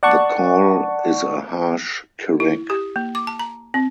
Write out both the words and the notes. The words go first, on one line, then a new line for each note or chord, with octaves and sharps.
The call is a harsh "kereck".
D5 F#5 A5 C#6
E4
G4
A#3
D6
A5
A#5
C4